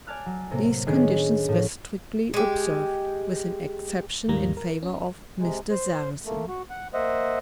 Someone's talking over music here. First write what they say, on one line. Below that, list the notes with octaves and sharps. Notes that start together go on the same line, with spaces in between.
These conditions were strictly observed--with an exception in favor of Mr. Sarrazin.
D5 G#5 A5 F6 F#6
F#3
A2 C3 A#3
A2 D#3 B3 C#4 D4 G#4
A2 F3
G#3 G4
D#2 G#2 G3 A#3 A#5
A#4
C#4
C3 G#3
C5
A3 A#3
F#4
F#5
A#3 C5 D#5 E5 F#5